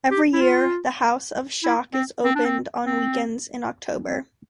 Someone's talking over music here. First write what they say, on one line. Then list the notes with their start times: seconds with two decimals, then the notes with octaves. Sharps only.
Every year, the House Of Shock is opened on weekends in October.
0.11 G4
0.33 E4
0.42 F4
1.64 E4
1.94 C4
2.25 C4
2.35 D4
2.45 C4
2.86 C4
4.08 C4